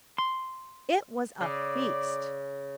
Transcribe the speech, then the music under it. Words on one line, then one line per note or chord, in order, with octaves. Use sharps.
It WAS a feast!
C6
C#3 D5